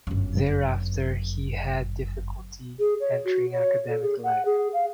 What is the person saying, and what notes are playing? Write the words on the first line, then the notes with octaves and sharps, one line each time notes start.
Thereafter he had difficulty entering academic life.
G1 F#2
G#4
C#5
F#4
C#5
A4
G#4
F#5
G#4
F5